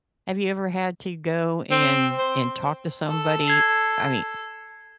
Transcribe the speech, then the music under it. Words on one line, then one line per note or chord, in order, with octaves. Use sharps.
have you ever had to go and and talk to somebody? I mean,
C4
C5
A4
G#6 C7